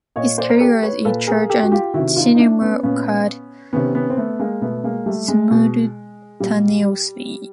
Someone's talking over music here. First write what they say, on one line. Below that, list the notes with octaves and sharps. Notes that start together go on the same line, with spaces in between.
His careers in church and cinema occurred simultaneously.
A#2 C#5 D#5
C5 D5
A#4
G4 A4
B4 C#5
A#2 A4 B4
G#4 A#4
G4 A4
F#4
F4 G4
C3 D#3 E4 F#4
D#4 F4
D#4
D4 E4
B3 C#4
A#2 B3 C#4
C3 D#3 B3 C#4
B3 C#4
C4
A3 B3
G#3 A#3
B2 A3 B3
G#3 A#3
G3 A3
G#3
B2
A#2 G3